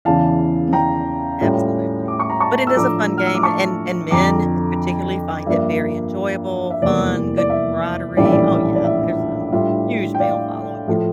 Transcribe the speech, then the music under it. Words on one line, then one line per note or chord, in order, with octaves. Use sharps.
Mhm, absolutely. But, it is a fun game, and and men, particularly, find it very enjoyable, fun, good camaraderie Oh, yeah, there's a huge male following in it.
E2 C#3 E3 F5 A5
G5 A#5
A2 G3 C#4 F4
D6
C#6
A#5
A5 C#6
E6
A2 F3 A3 D4 A#5 D6
F6
E6
D6
A5 C#6
F2 D3 F3 A#5 D6
G2 F3 A#3 D4 E5
E5
F1 E2 E3 G3 A#3 D5
D5
E5
A#1 A2 E3 G3 C#4 D5
E5
D5
D5
E5
A2 G3 D4 F4 E5
G5
D5 F5
A2 F3 A3